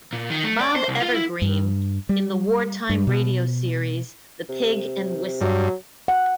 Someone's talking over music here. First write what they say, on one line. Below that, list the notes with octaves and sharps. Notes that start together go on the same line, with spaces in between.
Bob Evergreen in the wartime radio series "The Pig and Whistle".
A#2
D#3
A3
D5
C5
C2
F4
E4
G2
G3
G2
B2
C3
G2 F#3
F#5